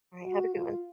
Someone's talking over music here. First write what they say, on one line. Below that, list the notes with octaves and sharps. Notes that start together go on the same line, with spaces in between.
All right, have a good one.
F#4
F4